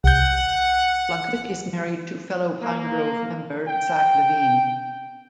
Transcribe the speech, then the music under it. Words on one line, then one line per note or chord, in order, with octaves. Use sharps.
Plunkett is married to fellow Pinegrove member Zack Levine.
C2 F#5 G6
A#3
G5